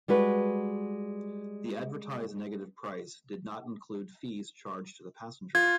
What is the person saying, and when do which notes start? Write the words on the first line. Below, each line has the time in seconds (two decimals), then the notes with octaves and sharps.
The advertised negative price did not include fees charged to the passenger.
0.08 G3 G#3 F#4 B4
5.55 F4 G#6